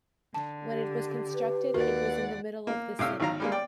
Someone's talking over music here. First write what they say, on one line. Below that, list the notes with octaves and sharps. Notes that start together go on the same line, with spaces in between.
When it was constructed it was in the middle of the city.
D3 A5
G4
B4
D#2 F#4 A#4 D5 F#5
A#3
A2 C3 F5 E6
G#1 D#3 F5 A#5
G3 G#3 A#3
D5 G5